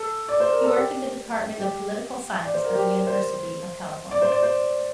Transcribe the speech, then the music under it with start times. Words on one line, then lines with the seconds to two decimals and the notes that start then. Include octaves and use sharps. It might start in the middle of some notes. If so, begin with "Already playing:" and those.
He worked at the department of political science at the University of California.
Already playing: A4
0.29 D5
0.40 C5
0.52 A#4
0.64 A4
0.76 G4
1.60 G4
2.44 D5
2.54 C5
2.64 A#4
2.75 G4
3.07 C5
4.11 D5
4.21 C5
4.31 D5
4.42 C5